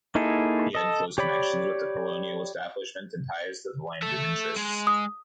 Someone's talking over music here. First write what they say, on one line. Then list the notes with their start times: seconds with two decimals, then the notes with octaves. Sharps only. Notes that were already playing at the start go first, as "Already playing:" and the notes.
He had close connections with the colonial establishment and ties to the landed interests.
0.15 A#3 D#4 E4 G#4 A4
0.75 A4 D#5
1.18 G4 C#5 D5 B5
4.03 A4 E5
4.57 G#3
4.87 D#6